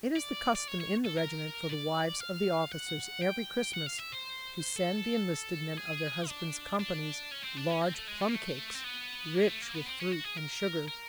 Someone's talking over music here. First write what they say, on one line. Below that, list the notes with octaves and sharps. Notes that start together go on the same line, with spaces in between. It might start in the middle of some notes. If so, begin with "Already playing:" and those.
It is the custom in the regiment for the wives of the officers every Christmas to send the enlisted men of their husbands' companies large plum cakes, rich with fruit and sugar.
D5
D5
C#5
C#5
A4
A#4
D5
F5
F#5
G5
F#5
F5
E5
C5
A4
G#4
D4
D4
C#4
C4
D4
C#4
C4
A3
G#3
A3
A#3
A3
C4
B3
A#3
G#3
A3
A#3
B3
C4
C#4
F#4
G#4
A#4
A#4